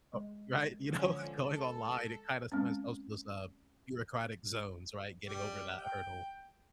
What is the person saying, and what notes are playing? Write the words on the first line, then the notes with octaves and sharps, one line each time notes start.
oh Right, you know, going online, it kind of sometimes helps with those, uh, bureaucratic zones, right? Getting over that hurdle.
G#3
D3 F3 C#4
A4
G#3 C4 C#4
G3
G5